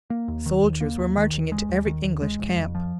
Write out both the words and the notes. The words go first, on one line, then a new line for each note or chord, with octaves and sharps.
Soldiers were marching into every English camp.
A#3
D#2
D#3
D#2
A#3
D#2
D#3
D#2
G#3
D#2
D#3
D#2
G#3
F1
F2
F3